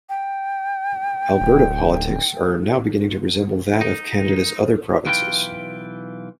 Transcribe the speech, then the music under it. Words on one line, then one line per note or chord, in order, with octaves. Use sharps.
Alberta politics are now beginning to resemble that of Canada's other provinces.
G5
D1
D#4
B1 E3 F4 B4 D#5 G5